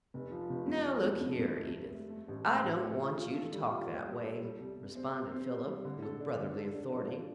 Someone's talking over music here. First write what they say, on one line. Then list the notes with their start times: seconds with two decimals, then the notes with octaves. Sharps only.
"Now, look here, Edith, I don't want you to talk that way," responded Philip with brotherly authority.
0.14 F1
0.31 F3
0.50 F1
0.68 F2
0.86 F3
1.03 F2
1.21 F2
1.39 F2
1.57 A3
1.74 G2
1.92 A3
2.10 A3
2.28 A1
2.46 A3
2.64 A1
2.82 A3
3.00 F4
3.17 F4
3.35 A4
3.53 G3
3.71 F4
3.89 G2
4.07 G3
4.24 A4
4.42 G3
4.60 C2
4.78 C2
4.95 C4
5.14 C3
5.32 C4
5.49 C3
5.67 G3
5.85 D3
6.02 A4
6.21 D4
6.39 D3
6.56 A4
6.75 D4
6.92 F3
7.10 D4